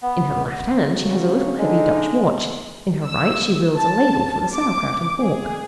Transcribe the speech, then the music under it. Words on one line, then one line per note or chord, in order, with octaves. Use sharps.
In her left hand she has a little heavy Dutch watch; in her right she wields a ladle for the sauerkraut and pork.
B3
C#3 F#3
D3 G#3 D#4
E6
A5
D6
G#4